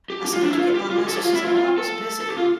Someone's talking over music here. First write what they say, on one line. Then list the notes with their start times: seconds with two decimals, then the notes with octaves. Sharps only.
I said, "Did you get my message?" She said, "Well, I was busy."
0.10 G4
0.26 G4
0.34 F4
0.42 D4
0.50 E4
0.58 F4
0.75 G4
0.91 F4
0.99 G4
1.07 A4
1.16 G4
1.23 F4
1.34 E4
1.45 F4
1.56 F4
1.78 A4
2.21 A4
2.29 G4
2.37 F4